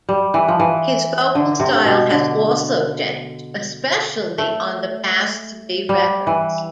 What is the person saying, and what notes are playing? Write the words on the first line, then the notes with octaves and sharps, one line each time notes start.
His vocal style has also changed, especially on the past three records.
G3
E3
F3
E3
D3
C3
B2
D3
A3
G3
E3